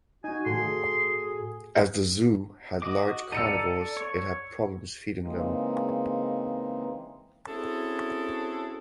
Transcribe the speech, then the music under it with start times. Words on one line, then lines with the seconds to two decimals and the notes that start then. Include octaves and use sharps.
As the zoo had large carnivores it had problems feeding them.
0.24 D#4 F#4 G#5
0.46 A2 D#3 F#4 A4 C6
0.58 G#4
2.82 F#4 D#5 D6
3.32 A4 D5 A#5 E6 C#7 D#7
3.96 C#5 C#6
5.22 C#3 E3 G#3 A#3 C4 D#4
7.47 C4 C#4 E4 F#4 G#4 A4